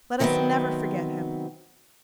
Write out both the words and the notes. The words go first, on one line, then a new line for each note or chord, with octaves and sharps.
Let us never forget him.
C3 D#3 F#3 G3 B3 C4